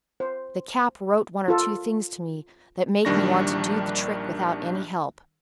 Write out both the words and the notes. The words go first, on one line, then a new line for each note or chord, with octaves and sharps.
The Cap wrote one or two things to me that make me want to do the trick without any help.
C5
F4 A4
A#1 D#3 G3 D4 C#6 A#6